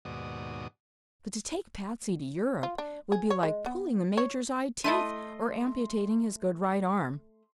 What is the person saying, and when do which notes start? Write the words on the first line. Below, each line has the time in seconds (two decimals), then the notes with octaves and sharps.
But to take Patsy to Europe would be like pulling the Major's eye teeth or amputating his good right arm.
0.05 D#2 G#2 B2 F#4 D5 D#6
2.63 F4
2.78 D4
3.12 G#4
3.30 C#5
3.43 G#3
3.66 B3
4.17 C#5
4.84 A3 E4 D#5 A5 C6 D#7